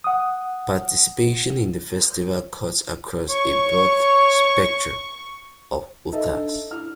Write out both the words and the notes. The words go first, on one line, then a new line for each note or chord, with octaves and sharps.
Participation in the festival cuts across a broad spectrum of Utahns.
F#5 D#6
C#5 C#6
D#4 A4 E5
D4
E4 F6